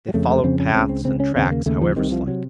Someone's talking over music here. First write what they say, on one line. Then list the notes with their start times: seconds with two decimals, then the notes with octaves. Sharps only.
They followed paths and tracks, however slight.
0.09 F#3
0.14 F2 C#3 A3
0.29 A3
0.44 F2 C#3 C4
0.60 C#4
0.74 C#2 C#3 C4
0.89 C4
1.05 C#2 C#3 C4
1.20 C#4
1.35 D#2 C#3 C4
1.51 A#3
1.66 D#2 C#3 A3
1.82 F3
1.96 C2 C3 D#3
2.12 F3
2.27 C3 F#3